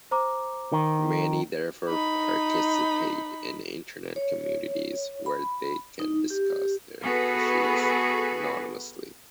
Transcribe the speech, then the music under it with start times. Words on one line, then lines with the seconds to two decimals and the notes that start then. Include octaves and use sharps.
Many, therefore, participate in Internet communities, where they can discuss their issues anonymously.
0.11 C5 A#5 D6
0.72 D#3
1.89 D#4 B5
4.16 C#5
5.26 B5
6.00 D#4
6.30 G4
7.02 B3 F#4 G#4 A4 B4